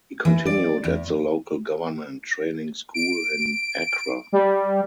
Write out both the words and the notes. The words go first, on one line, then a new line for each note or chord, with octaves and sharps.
He continued at the Local Government Training School in Accra.
E3
D5
E2
D7
G3